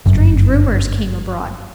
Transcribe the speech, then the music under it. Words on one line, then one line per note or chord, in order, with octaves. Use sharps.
Strange rumors came abroad.
G1 F#2